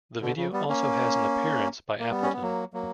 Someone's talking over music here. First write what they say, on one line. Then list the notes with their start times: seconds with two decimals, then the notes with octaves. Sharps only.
The video also has an appearance by Appleton.
0.21 B2 D3
0.37 C#3
0.53 G3 B3
0.69 A#3 C#4
2.00 A#3
2.11 G3 B3
2.23 C#4
2.33 B3
2.42 F#3 A#3
2.74 F#3 A#3